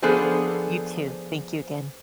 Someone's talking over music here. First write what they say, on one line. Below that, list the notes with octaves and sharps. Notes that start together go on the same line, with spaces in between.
you too. Thank you, again.
F3 B3 D4 G#4 A4 C5